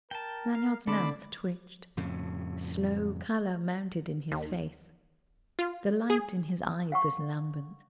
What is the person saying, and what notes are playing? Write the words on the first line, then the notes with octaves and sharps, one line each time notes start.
Lanyard's mouth twitched, slow colour mounted in his face, the light in his eyes was lambent.
A#4 G5 A5
F5
D3 A3 C4 D5 B5 D6
F2 A2 C#3
D#2
F4
G#4
F5 F#5 C#6